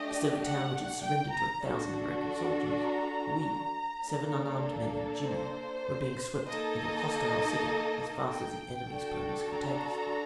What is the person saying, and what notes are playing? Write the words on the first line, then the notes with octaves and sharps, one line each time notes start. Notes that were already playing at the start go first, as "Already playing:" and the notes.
Instead of a town which had surrendered to a thousand American soldiers, we, seven unarmed men and Jimmy, were being swept into a hostile city as fast as the enemy's ponies could take us there.
Already playing: A3 D4 G4 D#5
F#5
G5
A#5
D4 F#4 A4
A#5
A#3 D4 A4
C5
A#3 D#4 A4 D#5
G5
D4 F#4 A4
A#5